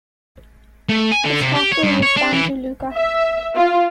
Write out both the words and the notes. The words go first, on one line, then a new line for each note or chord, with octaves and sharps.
Its capital was Banja Luka.
A3
G#5
D3
C3
G4
C#5
G2
C#5
D4
E3
E5
F4